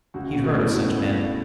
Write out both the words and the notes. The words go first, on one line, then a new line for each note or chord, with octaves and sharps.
He'd heard of such men.
C#2 F#4
F#4
B2 A3 F#4
E4
C#2 F#4